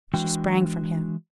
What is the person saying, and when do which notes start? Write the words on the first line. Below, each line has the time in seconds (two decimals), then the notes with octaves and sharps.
She sprang from him.
0.14 E3 G#3 D4 F#4 G5